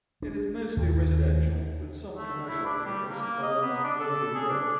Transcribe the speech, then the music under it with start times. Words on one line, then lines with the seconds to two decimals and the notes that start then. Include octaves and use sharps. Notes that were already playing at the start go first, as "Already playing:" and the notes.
It is mostly residential, with some commercial areas along Logan Road.
0.22 D4
0.77 D#2
2.16 A3
2.49 E4
2.66 D4
2.85 G3
3.09 A#3
3.22 A#3
3.43 D#5
3.62 B3
3.84 D4
4.01 A4
4.35 G#4
4.49 D4